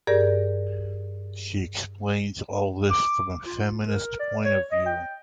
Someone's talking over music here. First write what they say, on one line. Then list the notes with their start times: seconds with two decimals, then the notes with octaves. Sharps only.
She explains all this from a feminist point of view.
0.07 G2 G4 G#4 A#4 D5
2.91 D6
3.46 F4
3.88 A#4
4.19 D5
4.45 C#5
4.71 D#5
4.86 G5